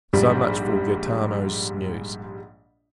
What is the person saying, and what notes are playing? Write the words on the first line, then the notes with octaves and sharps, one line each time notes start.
So much for Gaetano's news.
A#1 G#2 G3